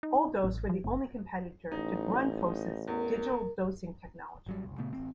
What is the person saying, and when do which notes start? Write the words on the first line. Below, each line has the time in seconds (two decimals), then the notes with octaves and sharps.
Alldos were the only competitor to Grundfos's 'digital dosing' technology.
0.03 D#4
0.44 A1
0.69 F3
0.84 F#1
1.72 A1 D#4
2.88 E2 A#4
4.46 G#1 F#3 G3
4.63 F#1 C2
4.78 A#2 C#3 A3 B3
4.93 A1 C4